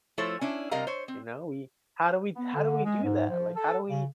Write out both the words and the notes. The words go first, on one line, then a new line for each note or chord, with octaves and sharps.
you know, we How do we How do we do that? Like, how do we
F3 A3 E4 A4 C5 C#5
C#4 D4 E4
C3 G3 A#4 D#5 F5 A#5
C5 C#5
C4
B3
D3
G#3
G#2
F3
A4
C#3